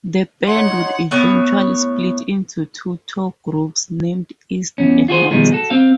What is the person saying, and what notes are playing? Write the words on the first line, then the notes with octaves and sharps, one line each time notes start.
The band would eventually split into two tour groups named 'East' and 'West'.
D#4 F#4 C#5 F#5 C6
A2 B3 C#5 G5
E2 G#2 C#4
F4 F#4 G#4 C5
B2 D#3 F3 G3 G#3 G#4
F#4 A4
C4 F5